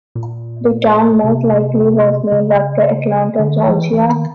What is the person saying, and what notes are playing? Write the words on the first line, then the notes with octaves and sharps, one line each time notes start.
The town most likely was named after Atlanta, Georgia.
A#2
C3
C#3
D3
D#3
F3
E3
E3
D#3